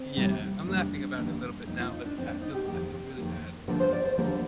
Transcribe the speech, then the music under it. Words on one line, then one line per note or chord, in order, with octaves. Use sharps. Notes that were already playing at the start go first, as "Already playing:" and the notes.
Yeah, I'm laughing about it a little bit now, but y I feel I feel really bad, um,
Already playing: C4
F2 C3 D#3 G3 A#3
F2 C3 D#3 G3 A#3 D4
F2 C3 D#3 G3 A#3
F2 D#3 A#3 D#4
F4
D#4
D4
F2 D#3 A#3 C4
D4
D#4
G4
F2 D#3 A#3 G4
F2 D#3 A#3
D#2 D3 F3 A#3 A#4
C5
D5
C5
D#2 D3 F3 A#3 A#4